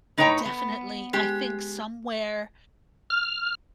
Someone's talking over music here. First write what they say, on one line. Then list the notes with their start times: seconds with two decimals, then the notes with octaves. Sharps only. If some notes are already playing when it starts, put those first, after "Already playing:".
Definitely, I think somewhere
0.18 A2 D#4 B4 C#5 G5 A#5
0.46 B3
1.13 G#3 G4
3.10 F6